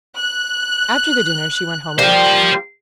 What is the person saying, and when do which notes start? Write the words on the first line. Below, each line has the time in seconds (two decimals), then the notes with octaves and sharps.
After the dinner she went home alone.
0.17 F#6
1.99 F3 G3 A#3 F4 C5